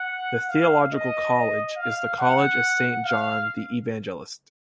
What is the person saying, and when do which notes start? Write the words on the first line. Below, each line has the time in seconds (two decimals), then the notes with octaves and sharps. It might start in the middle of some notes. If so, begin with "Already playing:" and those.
The theological college is the College of Saint John the Evangelist.
Already playing: F#5
0.49 F5
0.92 D#5
1.76 F5
2.18 F#5
3.04 F5